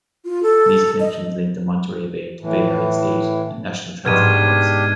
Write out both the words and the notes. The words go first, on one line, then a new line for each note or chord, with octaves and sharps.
These connections link the Monterey Bay to Bay Area, state, and national transit networks.
F4
A4
D#5
A2 E3
G#2 B2 D4 G4 F6 G#6 D#7